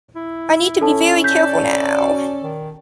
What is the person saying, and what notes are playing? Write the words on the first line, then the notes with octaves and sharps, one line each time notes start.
I need to be very careful now.
E4
C#4 A4 A5
A4 D5 G6 B6
F#4
D#3